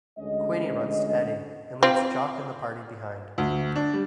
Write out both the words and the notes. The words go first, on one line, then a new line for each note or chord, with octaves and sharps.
Queenie runs to Eddie and leaves Jock and the party behind.
D2 G#3 C#4 D#5
C4 F4
D2
D4
G3